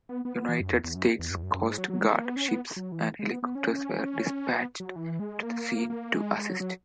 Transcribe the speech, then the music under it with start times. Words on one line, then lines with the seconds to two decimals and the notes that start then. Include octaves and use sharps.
United States Coast Guard ships and helicopters were dispatched to the scene to assist.
0.09 B3
0.25 B3
0.37 B3
0.49 E3
0.60 F#2
0.72 E2
0.84 E2
0.95 F#2
1.19 E2
1.31 F#2
1.37 E2
1.43 F#2
1.54 F#2
1.66 G#2
1.78 F#3
1.90 F#3
2.02 G#3
2.13 A#3
2.25 B3
2.36 C#4
2.48 B3
2.76 F#3
2.92 E3
3.19 G#3
3.31 B3
3.43 B3
3.55 C#4
4.49 B3
4.80 F#3
4.96 E3
5.19 G#3
5.43 A#3
5.90 A#3
6.14 G#3
6.38 G#3
6.49 F#3
6.61 F#3